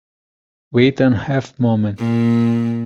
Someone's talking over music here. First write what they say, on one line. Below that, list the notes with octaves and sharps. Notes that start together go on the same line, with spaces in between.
Wait one half-moment.
A#2